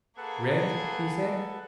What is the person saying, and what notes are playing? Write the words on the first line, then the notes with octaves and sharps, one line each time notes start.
"Read?" he said.
A#3 G#4 A4 B4 F#5